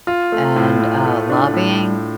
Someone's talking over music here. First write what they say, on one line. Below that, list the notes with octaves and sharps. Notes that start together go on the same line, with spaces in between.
and, uh, lobbying.
F4
A3
A2
F4
A3
D4
A2
F4